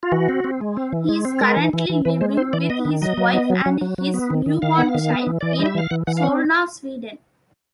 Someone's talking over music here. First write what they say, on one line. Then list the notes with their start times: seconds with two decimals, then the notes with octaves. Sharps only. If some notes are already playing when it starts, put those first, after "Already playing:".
He is currently living with his wife and his newborn child in Solna, Sweden.
0.03 F4
0.12 E3 F#4
0.29 C4
0.44 C4
0.61 G#3
0.77 C4
0.93 E3
1.09 G#3
1.25 C4
1.41 G#3 A#4
1.57 E3
1.73 E3
1.90 E3
2.05 E3 B4
2.21 G#3 C5
2.37 C4 C5
2.53 E3 D5
2.70 B3 D#5
2.85 D#3
3.02 F#3 D#5
3.17 F#3
3.33 B3
3.50 F#3
3.66 F#3
3.81 F#3
3.98 F#3
4.14 B3
4.30 D#3
4.46 D#3
4.62 D#3 F5
4.76 B3 F#5
4.88 F5
4.95 D#3
5.10 B3
5.27 E3
5.41 E3 D5
5.53 D#5
5.59 G3
5.66 E5
5.75 E3 F5
5.91 E3 F#5
6.07 E3 F#5
6.17 F5
6.23 C4 F#5